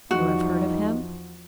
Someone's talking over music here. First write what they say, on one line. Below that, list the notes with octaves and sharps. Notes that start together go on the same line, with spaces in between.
You have heard of him?
E2 F3 G3 D#4 F#4